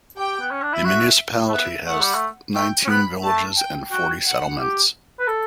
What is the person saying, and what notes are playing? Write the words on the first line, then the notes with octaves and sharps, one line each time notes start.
The municipality has nineteen villages and forty settlements.
G4 G5
B3
C#4
D4
E4
F#4 E5
A3
B3 E5
A3 F#5
G3
A3
A3 G5
C#4
B3 B5
A3 A5
G5
F#4 G5
F#5
G4
B4
A4